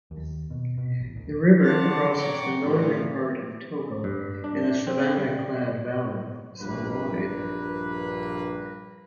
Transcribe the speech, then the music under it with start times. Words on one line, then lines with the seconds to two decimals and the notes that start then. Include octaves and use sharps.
The river crosses the northern part of Togo in a savannah-clad valley some wide.
0.11 D#2
0.50 B2
0.78 B2
1.00 A1
1.16 D2
1.60 C5 D5 F5 F#5 A5 A6
2.12 C#5 F#5 G5 A#5 C6 D6
2.61 A2 F3 G3 F4
4.04 G2
4.44 D4
4.87 C4
5.18 G3
6.59 A#1 G2 A#3 B4